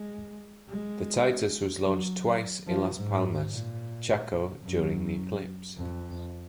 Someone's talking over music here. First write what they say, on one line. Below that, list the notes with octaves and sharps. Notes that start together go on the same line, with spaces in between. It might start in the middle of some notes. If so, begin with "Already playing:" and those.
The Titus was launched twice in Las Palmas, Chaco during the eclipse.
Already playing: G#3
G#3
F#3
F3
G#2
A#2
F#2
F2